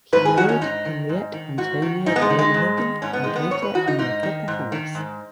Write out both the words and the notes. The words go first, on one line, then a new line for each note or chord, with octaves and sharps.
He married Henriette Antonia Groenewegen and later Enriqueta Harris.
G#2 B4
G#4
D#3 F#4
C#4
G#2 D#4
D#3
G#2
D#3
G#2 F#4
D#3
G#2 D#4
B3
G#3
D#3
G#3
G#2
D#3
G#2 C#4
B3
D#3 G#3
B3
G#2 C#5
B4
D#3 F#4
D#4
G#2 D#4
D#3
G#2
D#3
G#2